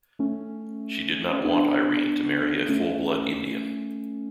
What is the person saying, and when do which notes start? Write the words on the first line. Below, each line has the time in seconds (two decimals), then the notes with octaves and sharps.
She did not want Irene to marry a full-blood Indian.
0.19 A3 C#4
1.33 C#4
1.44 B3 D4
2.69 A3 C#4